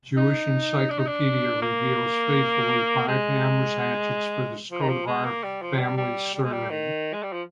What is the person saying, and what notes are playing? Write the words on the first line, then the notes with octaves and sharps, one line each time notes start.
Jewish Encyclopedia reveals faithfully five hammers hatchets for this Coat of Arm family's surname.
D#4
D4
D#4
D4
A#3
G#3
F3
D#3
F3
G#3
A#3
G3
F3
G3
G3
G3
G#3
G3
D#3
G#3
G3
F3